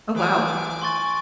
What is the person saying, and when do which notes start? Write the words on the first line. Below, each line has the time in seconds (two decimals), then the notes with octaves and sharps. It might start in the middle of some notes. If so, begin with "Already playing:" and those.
Oh, wow.
0.15 E3 G#5 D6
0.82 C6 C#6 A6